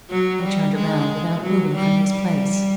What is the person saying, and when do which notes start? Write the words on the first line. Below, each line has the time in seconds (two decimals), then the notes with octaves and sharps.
He turned around without moving from his place.
0.10 F#3
0.43 G3
0.76 G#3
1.42 F#3
1.75 G3
2.08 G3